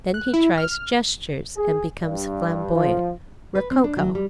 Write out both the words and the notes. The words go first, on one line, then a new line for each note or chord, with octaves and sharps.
Then he tries gestures, and becomes flamboyant, rococo.
F#6
E4
F6
G#4
G2
F3
B4
C4
D4
F#3
G3